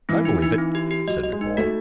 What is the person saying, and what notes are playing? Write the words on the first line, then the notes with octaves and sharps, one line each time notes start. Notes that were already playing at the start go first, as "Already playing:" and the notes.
"I believe it," said Nicholl.
E3 C4
D#4
D#4
C4
G4
G4
F#3 D#5
D#5
G#3
D#4
A3 F#4